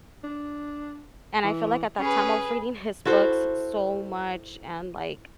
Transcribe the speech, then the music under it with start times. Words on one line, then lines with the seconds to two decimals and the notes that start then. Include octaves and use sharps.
and I feel like, at that time I was reading his books so much and, like,
0.24 D4
1.44 E3
1.99 C#4 G#4 B4
3.05 E4 F#4 A4 C5